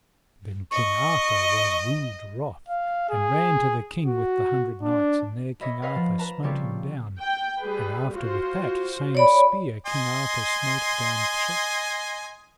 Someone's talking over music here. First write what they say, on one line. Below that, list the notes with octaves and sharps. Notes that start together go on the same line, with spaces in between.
And then King Arthur was wood wroth, and ran to the King with the Hundred Knights, and there King Arthur smote him down; and after with that same spear King Arthur smote down three other knights.
D#5 C#6
F5
G#4
F#4
D4
C#5 D#5 E5 B5
B4 C#5 D#5 F5 F#5 B5
F3
B4 A5 A#5
C#3 G3 C4 F4 G4 C#5
G5
G3 G#4 B4
F4 F#4 C5
C#5 D5 B5
D#5 G#5 C6